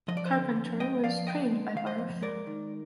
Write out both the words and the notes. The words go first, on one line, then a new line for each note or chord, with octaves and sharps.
Carpenter was trained by Barth.
F3 D#5
D5
C5 D#5
D3
F2
G#3 D#5 G5
F3 D5 F5
D3 D#5 G5
G#3
D#3 F5
C5 D#5
F2
G#3 A#4 D5
D#3